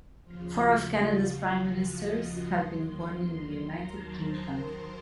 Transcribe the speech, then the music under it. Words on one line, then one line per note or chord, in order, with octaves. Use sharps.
Four of Canada's Prime Ministers have been born in the United Kingdom.
D#2 C#3 F3 F4
F#4
F#4
F4
F#4
D#5
D#2 D#3 F#3 C6
C6
A#5
A5
C5
A#4